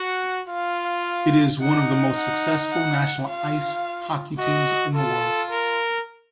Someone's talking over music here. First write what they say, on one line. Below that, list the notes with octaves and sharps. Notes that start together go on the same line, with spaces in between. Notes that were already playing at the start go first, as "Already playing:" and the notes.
It is one of the most successful national ice hockey teams in the world.
Already playing: F#4 F#5
F4 F5
F5
D#4 F#5
F#5
F#5
F4 F5
F#4 D#5
F4 A4
A#4